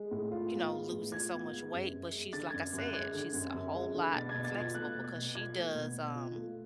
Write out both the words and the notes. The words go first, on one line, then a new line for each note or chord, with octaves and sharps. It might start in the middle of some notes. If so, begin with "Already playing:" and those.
you know, losing so much weight, but she's like I said, she's a whole lot flexible, because she does, um
Already playing: G#3
A2
F4
B3
G#3
A2
F4 G#6
B3
G#3
F#2
F#2
G#3
D3 A6
F#2 G#6
F#2
F#6
G#3 G#6
D3
F#2
F#2
G#3
D3
B2 A6
G#6
B2
A6
F4
G#6
A3 F#6
B2
G#6
B2
F4 G#6
A3
B2
B2
F4
A3